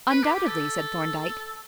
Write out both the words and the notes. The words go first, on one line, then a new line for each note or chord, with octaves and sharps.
"Undoubtedly," said Thorndyke.
B4
G4
G4
A4